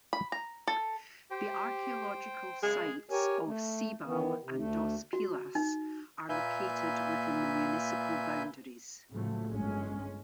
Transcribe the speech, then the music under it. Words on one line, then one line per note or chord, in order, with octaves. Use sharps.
The archaeological sites of Ceibal and Dos Pilas are located within the municipal boundaries.
B5
A#5
A4
G4 C5 G5
F#2 C#3 G#3 G#4
G4 A#4 C#5 G#5
A3
D#3 E3 B3
C3
D2 A3
F#4
D#4
A#2 A#3 B4 E5 G#5 G6
A2 C#3 F3 F#3 A3
G1 G#3 C#4